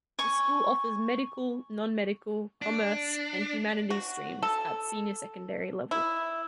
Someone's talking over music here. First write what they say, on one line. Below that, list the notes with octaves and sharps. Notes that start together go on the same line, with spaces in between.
The school offers Medical, Non-medical, Commerce and Humanities streams at Senior Secondary level.
G#5 C#6
D4
F#4
A4
E4